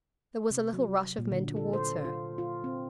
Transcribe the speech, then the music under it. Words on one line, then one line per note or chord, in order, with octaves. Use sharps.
There was a little rush of men towards her.
C3
F#3
A#2
D3
A4
C5
F4
F4
C4